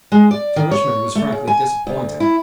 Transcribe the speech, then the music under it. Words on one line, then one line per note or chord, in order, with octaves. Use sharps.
Sir Richmond was frankly disappointed.
G#3
D5
D#3
C#5
A3
C#3
G#5
D2
E4